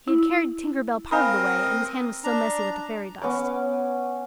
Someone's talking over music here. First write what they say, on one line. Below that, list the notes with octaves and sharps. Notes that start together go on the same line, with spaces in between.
He had carried Tinker Bell part of the way, and his hand was still messy with the fairy dust.
E4
C4 A#4 F5 G#5 B5 D#6
D4 A#5
B3 C#4 D6